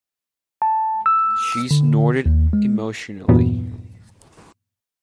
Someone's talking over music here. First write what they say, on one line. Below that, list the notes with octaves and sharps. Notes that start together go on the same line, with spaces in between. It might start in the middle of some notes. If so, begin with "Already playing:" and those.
She snorted emotionally.
A5
E6
D3
D#2
G#3
E2 G2 A#2 E3 F#3 B3